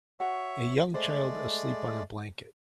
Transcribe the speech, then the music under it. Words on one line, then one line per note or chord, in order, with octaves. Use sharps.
A young child asleep on a blanket.
F#4 C#5 E5 F#5
G#3 A3 C5 D5